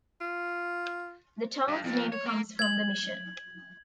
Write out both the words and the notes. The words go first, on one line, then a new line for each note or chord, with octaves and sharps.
The town's name comes from the mission.
F4
G2
F2
C#5
A#3
G#6 F#7